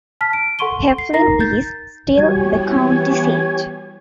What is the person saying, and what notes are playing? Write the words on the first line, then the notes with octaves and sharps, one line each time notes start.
Heflin is still the county seat.
A5 F6 B6
D7
A4 F#5 C6 C#6 D#7 G7
C7
D#4 A#4 A#5 A#6 C7
G6 A6
E3 G3 B3 F#4 G4 C#5 G#5